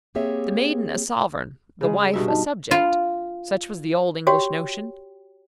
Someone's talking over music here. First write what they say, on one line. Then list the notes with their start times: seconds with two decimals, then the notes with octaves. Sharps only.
The maiden a sovereign, the wife a subject, such was the old English notion.
0.15 A#3 C4 G4 G#4 C#5 E5
1.81 C#3 G#3
2.14 G2 B2 E5
2.28 D#4 D#5 A5
2.71 F4
4.27 F#4 G4 C#5 G5